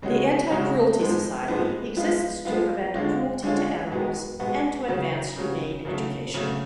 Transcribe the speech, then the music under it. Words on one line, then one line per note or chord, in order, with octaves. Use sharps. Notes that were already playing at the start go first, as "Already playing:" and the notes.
The Anti-Cruelty Society exists to prevent cruelty to animals and to advance humane education.
C#3 G#3 C#4 F#4
C#3 G#3 C#4 F#4
G#2 F3 G#3 B3
G#2 F3 G#3 B3
F3 G#3 B3 F4
F3 G#3 B3 F4
D3 G#3 C#4 F4
D3 G#3 C#4 F4
B2 G#3 B3 F#4
B2 G#3 B3 F#4
C#3 F#3 C#4
C#3 F#3 C#4
C#3 F#3 A3
C#3 F#3 A3